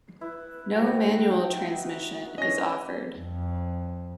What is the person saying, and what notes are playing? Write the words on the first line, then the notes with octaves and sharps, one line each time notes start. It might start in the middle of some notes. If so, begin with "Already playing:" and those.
No manual transmission is offered.
E4 B4
F#4 C5 G5
D#4
C#4 D#5 A#6
F2